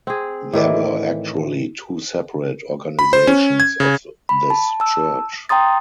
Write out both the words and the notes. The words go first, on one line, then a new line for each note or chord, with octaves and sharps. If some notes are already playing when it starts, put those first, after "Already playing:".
There were actually two separate organizations of this church.
C4 G#4
A2 D#3 E3 D5
B5
C5
C#4
G#6
C#3
B5
A5
A5 E6
G5 A#5 C6 D#6 A6